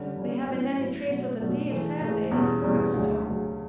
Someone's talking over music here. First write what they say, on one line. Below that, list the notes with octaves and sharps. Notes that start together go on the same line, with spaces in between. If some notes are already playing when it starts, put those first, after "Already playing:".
"They haven't any trace of the thieves, have they?" asked Tom.
Already playing: D3 G3 C#4
D3 G3 C#4
A2 F#3 C#4 E4
A2 F#3 C#4 E4
B2 F#3 A3 D4 F#4
B2 F#3 A3 D4 F#4
C#3 E3 A3
C#3 E3 A3
E2 B2 G3 C#4
E2 B2 G3 C#4
D2 C#3 F#3
D2 C#3 F#3